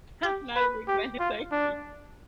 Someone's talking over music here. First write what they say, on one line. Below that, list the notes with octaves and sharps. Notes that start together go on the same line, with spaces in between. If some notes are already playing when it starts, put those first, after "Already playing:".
I'm not a big fan of turkey.
G4
B4
G4
F4
D4